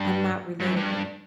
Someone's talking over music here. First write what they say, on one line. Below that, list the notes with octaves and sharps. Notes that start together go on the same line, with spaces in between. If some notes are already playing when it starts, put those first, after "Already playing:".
I'm not relatable.
Already playing: G2
G2
F#2
G2